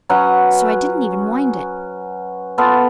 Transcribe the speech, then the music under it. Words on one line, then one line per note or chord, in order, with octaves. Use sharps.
So I didn't even wind it.
F#3 C#4 B4 F#5
B3 F4 A4